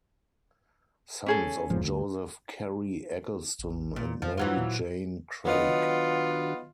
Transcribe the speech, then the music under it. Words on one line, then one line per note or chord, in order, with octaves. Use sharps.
Sons of Joseph Cary Eggleston and Mary Jane Craig.
C#4 G#4 A4
F1 G#2 F3
D2
A1
A#2
F2 F3
E3 F#3 F4
A#2
D#3 F#3 B3 D4 D#4 F4 F#4